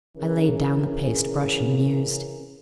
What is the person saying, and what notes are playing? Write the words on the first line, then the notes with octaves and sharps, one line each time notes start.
I laid down the paste-brush and mused.
C#3 E3 C#4 G#4 A#4